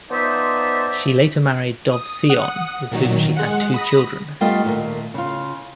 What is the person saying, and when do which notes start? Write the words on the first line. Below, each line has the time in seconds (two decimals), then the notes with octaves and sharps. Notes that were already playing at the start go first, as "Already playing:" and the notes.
She later married Dov Sion, with whom she had two children.
0.11 F3 B3 D#4 C5 D5 E5
1.91 D#6
2.29 F#5 D#6
2.91 A#2 D#3 F#3
3.37 G#3 F#5
3.74 B5 D#6 A#6
4.41 G3 A3 B3 F4 G4 D#5
4.64 D#2 A#2 A3 F4 A#4
5.14 C#3 F4